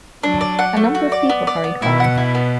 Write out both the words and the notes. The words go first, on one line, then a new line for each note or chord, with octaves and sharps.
A number of people hurried by.
F#3 D4
D5
F#5
A3
F#4
D5
B3
D5
B3
B2 E4
F#5
E4
B3